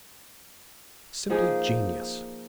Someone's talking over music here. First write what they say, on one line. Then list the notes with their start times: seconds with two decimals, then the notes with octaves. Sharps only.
Simply genius!
1.30 F3 A#3 D#4 G#4